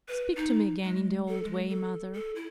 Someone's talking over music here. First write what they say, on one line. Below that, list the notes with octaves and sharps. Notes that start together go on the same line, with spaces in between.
Speak to me again in the old way, mother.
B4
D#4
G#3
A4
G#3
A4
A4
E4